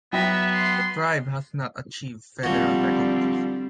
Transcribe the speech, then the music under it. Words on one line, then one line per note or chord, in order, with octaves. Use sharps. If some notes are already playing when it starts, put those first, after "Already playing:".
The tribe has not achieved federal recognition.
F#3 B3 E5 G5 A#6
C6
D3 F3 G3 C4 F#4